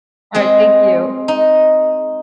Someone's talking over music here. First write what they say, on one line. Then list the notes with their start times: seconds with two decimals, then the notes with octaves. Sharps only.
Alright, thank you.
0.35 G#3 C4 G#4
1.28 D#4